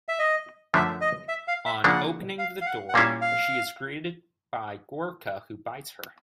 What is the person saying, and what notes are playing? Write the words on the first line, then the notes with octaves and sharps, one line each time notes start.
On opening the door, she is greeted by Gorca who bites her.
E5
D#5
F#2 D3 F3 A3 E5
D#5
E5
F5
E5
C#3 F3 A#3 D4 F#5
F5
F5
F#5
F#5
A#2 G3 A#3 C#4 E4 F5
F5